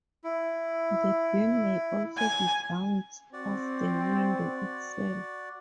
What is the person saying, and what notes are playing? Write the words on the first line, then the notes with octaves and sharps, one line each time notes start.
The beam may also be bounced off the window itself.
E4
G#5
C4 F#4 D5